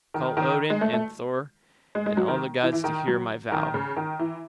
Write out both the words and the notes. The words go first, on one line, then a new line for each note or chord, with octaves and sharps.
I call Odin and Thor and all the gods to hear my vow.
D#3
D#3
G#3
A3
A3
G#3
G#3
F#3
D#3
E3
E3
D#3
F#3
D#3
C#3
D#3
E3